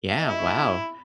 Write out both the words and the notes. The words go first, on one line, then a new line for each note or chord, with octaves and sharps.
Yeah, wow.
E5
D#5
E4 E5
C#6
B5